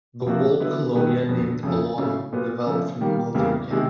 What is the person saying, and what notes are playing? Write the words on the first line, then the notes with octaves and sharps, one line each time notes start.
The walled colonia named "Alauna" developed from the military camp.
C3 F3 A#3 D4 F#4
D3 F#3 B3 E4
F#2 D#3 G#3 B3
F2 D3 F#3 B3
F2 C#3 F#3 A3 C#4
C#3 F#3 A3 C#4 E4
A#2 F#3 B3
C#3 F3 A3 C#4
D#3 G3 A#3
E2 C#3 E3 G3 A#3
C3 D#3 G#3